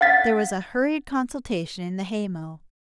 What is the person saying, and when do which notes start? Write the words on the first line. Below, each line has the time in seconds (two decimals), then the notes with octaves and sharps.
There was a hurried consultation in the hay-mow.
0.01 F5 F#5 A6 B6